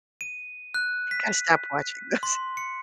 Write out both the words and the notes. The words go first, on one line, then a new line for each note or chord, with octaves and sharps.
Gotta stop watching those.
D#7
F#6
B6
C6
C#7